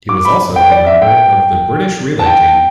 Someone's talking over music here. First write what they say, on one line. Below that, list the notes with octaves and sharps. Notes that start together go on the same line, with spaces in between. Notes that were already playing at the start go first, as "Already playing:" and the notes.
He was also a member of the British relay team.
D6
B5
G5
D5
E5
G5
A5
G5